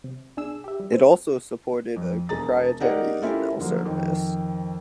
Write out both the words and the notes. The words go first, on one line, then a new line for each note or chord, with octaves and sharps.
It also supported a proprietary email service.
C3
B1 D4 G#4 E6
G4 E5
G3
C4
F2
E1 G#4 A#5 A6
D#4 G4 G#4 A#4 D5 F#5
C#4 E4 F4 G4 A4 A#4
D3 F3 F#3 A#3
F2 D#3